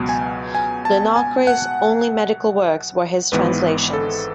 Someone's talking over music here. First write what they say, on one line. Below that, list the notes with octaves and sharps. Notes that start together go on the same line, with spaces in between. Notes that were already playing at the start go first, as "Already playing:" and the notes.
Linacre's only medical works were his translations.
Already playing: C#2 B2 F#3 B3
G#5
G#5
A5
G#5
F#5
G#1 G#2 E3 B3 B4
A4